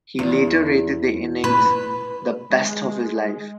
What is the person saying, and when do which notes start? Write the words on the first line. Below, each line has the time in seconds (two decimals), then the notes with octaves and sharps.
He later rated the innings the "best of his life".
0.19 E2
1.44 B4
2.50 G#3